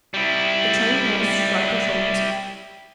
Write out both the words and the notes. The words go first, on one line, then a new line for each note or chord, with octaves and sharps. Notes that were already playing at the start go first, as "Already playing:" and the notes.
The Trained Nurse shrugged her shoulders.
G3 E4